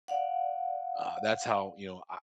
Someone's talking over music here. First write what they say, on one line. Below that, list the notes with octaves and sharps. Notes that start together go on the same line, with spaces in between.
uh, that's how, you know, I
D5 F5 F#5